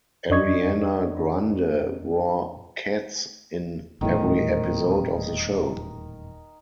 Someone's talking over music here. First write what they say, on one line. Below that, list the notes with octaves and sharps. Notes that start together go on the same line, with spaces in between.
Ariana Grande wore Keds in every episode of the show.
F2 D4 D5 D#5 C#6 G#6
D#1 E2 A2 D#3